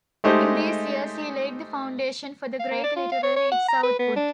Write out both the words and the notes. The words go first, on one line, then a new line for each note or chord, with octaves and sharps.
In these years he laid the foundation for the great literary its output.
G#3 A3 D#4 G4 C5
F5
A#3
D5
F4
F5
C#5
C#5
F#5
A#5
B4
B3
D4